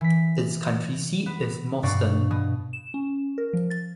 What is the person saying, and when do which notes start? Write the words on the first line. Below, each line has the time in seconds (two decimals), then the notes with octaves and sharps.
Its county seat is Mauston.
0.01 E3 B6
1.26 B3
1.83 G2 B2 D5 F5 C#6
2.30 B2 D#6
2.73 E7
2.94 C#4
3.38 A#4
3.53 F3
3.70 A6